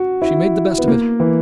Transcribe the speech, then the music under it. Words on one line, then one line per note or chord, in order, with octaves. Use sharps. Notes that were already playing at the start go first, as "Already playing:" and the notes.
She made the best of it.
Already playing: F#4
E4
B3
A#3
E3